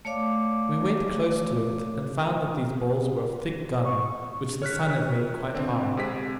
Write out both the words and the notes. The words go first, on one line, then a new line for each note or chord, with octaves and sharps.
We went close to it, and found that these balls were of thick gum, which the sun had made quite hard.
A3 C#5 D5 F5 D6
C#6
C#5 F6 F#6 B6
D3 C4
C3 G#3 G#4 B6